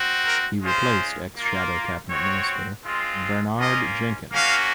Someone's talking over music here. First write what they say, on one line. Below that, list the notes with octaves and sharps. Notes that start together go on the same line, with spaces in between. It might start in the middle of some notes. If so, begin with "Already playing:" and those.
He replaced ex-shadow cabinet minister Bernard Jenkin.
Already playing: C4 F#4
A#4
G#3 C#4 F4 C5
A#3 F4
C4 F#4 C#5
G#3 C4 F4
A#3 C#4 F4 D#5
A#3 C#4 F#4 F5